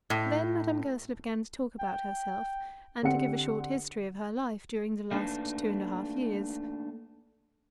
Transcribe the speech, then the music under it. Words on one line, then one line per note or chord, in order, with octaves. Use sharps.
Then Madame Goesler began to talk about herself, and to give a short history of her life during the last two-and-a-half years.
A2
G5
D3 C4 G4 F#5 C#7
A3 A#3 D4 D#4 B4